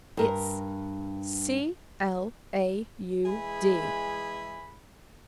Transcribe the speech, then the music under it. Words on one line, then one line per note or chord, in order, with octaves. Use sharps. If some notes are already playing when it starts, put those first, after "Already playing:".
"It's C-l-a-u-d!"
G2 A#4
E3 G#3 G#4 E5 G#5 B5